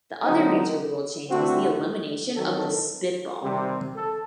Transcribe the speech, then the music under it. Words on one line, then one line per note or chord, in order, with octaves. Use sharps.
The other major rule change was the elimination of the spitball.
D3 F#3 C4 D#4
D3 A3 C4 F#4
D#3 F#3 C4 A4
C3 D#3 G3 C4 G4
A4